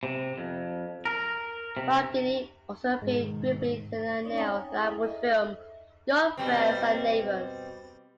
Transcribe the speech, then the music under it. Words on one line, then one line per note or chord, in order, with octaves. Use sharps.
Glaudini also appeared briefly in the Neil LaBute film, "Your Friends and Neighbors".
C3
F2
A#4
C3
G#2 B2 D#3 G#3
C4 C#4 D#4 C#5 D5
C#5 F5 G5 G#5 A#5 D#6
E4 G#4 A4
A4 D#5 E5
B2 G3 C4